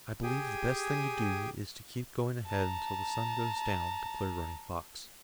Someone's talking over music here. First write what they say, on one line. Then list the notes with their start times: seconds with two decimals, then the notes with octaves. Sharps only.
"I believe the best thing to do is to keep going ahead until the sun goes down," declared Running Fox.
0.23 G4 G#4 G5 G#5 D#6
2.47 A5 A#5